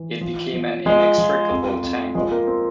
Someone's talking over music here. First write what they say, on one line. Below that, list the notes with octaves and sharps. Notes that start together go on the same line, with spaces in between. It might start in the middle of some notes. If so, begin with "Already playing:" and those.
It became an inextricable tangle.
Already playing: E3
F3
F3
F3 G#3
F3
F2
F2
F3 G#3
A#3
C4